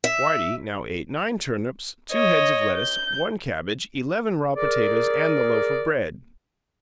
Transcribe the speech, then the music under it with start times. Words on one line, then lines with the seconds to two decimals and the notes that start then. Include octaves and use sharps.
Whitey now ate nine turnips, two heads of lettuce, one cabbage, eleven raw potatoes and the loaf of bread.
0.04 E5
2.12 C#5 D#5
2.77 G6
4.56 G#4 A#4 D5